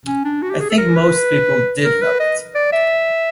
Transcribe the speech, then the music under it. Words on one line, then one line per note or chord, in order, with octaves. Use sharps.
I think most people did love it.
C#4
D4
F#4
G4
G#4
A4
A#4
B4
A#4
B4
D#5
D5
E5